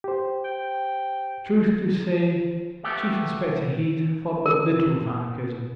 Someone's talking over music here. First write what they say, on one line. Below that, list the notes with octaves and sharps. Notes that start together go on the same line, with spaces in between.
Truth to say, Chief Inspector Heat thought but little of anarchism.
G4 C5
G5
A3 B3 G4
A#4